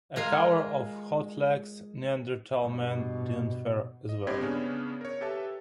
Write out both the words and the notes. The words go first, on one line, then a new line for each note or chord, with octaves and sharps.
A cover of Hotlegs' "Neanderthal Man" didn't fare as well.
G#3 F4 A#4 F5
G2 B2
D#5
G2 C4 G4 G#6
C#3 B3 C#4 D4 G#4
A#4 C#5
G4 A4 B4 E5 A5